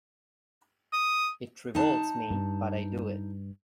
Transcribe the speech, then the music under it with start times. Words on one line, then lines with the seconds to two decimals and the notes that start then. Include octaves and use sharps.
It revolts me, but I do it.
0.93 D#6
1.75 D#4 A5
2.30 G2